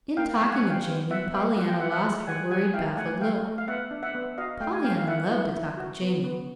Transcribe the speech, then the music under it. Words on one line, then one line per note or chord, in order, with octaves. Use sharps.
In talking of Jamie, Pollyanna lost her worried, baffled look. Pollyanna loved to talk of Jamie.
A#3 F5 G5
F5 G5
G3
F#5 G#5
G3
F5 G5
B3
B3 E5 F#5
B3 F5 G5
F4 F#5
G5
F4 E5 F#5
E5 F#5
G#3
G3 F#5 G#5
G3 F#5 G#5
E4 F5 G5
A3 F#5 G#5
A3 F5 G5
A3
F5
B3 E5 F#5
D4
E5 F#5
B3
F#4 D#5 F5
A3 F5 G5
G#5
C#4 F5 G5
F5
E4 E5 F#5
E4
E4
F#4
B3
B3